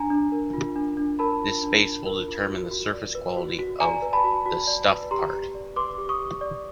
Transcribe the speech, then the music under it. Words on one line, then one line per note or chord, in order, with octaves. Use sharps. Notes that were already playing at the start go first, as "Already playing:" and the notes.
This space will determine the surface quality of the stuffed part.
Already playing: D4 G#5 A#5
D4
A#4
F4
D4
D4
A#4 A5 B5
F4
D4
D4
A#4
F4
F#4
F#4
D5
B4
F#4
F#4
D5 G#5 A#5
B4
A5 B5
F#4
F#4
D5
B4
G4 A#5 C6
G4
D5
B4 C6 D6
G4
C#6 D#6
G4
D5